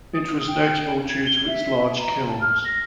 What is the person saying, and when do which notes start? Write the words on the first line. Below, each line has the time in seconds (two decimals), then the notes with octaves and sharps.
It was notable due to its large kilns.
0.14 D#6
0.48 G5
1.09 G#6
1.26 G7
1.47 E5
1.98 A#5
2.28 A5
2.41 F6
2.64 A#6